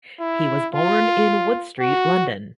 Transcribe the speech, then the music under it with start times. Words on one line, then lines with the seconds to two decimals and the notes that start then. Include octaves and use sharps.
He was born in Wood Street, London.
0.20 E4
0.73 F4
1.80 F#4